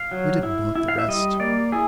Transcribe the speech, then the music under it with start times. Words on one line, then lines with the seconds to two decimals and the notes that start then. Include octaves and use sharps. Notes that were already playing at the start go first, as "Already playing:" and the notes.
We didn't want the rest.'
Already playing: F5
0.11 F#3
0.43 E4
0.75 E4
0.88 F5
0.99 E5
1.08 G3 D#5
1.40 A#3 D5
1.72 E4 G#4